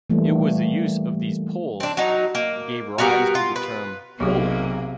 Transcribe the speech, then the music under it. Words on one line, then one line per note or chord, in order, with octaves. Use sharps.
It was the use of these poles gave rise to the term "poling".
E3 G3 A3 A#3
C4 D4
F#3 D#4
A#3
G3 B3 F#4 A#4
F4
B4
B1 C3 F#3 A#3 G4 G#4